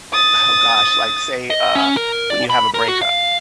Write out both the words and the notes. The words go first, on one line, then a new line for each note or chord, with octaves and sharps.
oh gosh, like say, uh, when you have a breakup,
D#6 A6
D#5
C#4
A#4
D5
B5
A#4
F#4
F5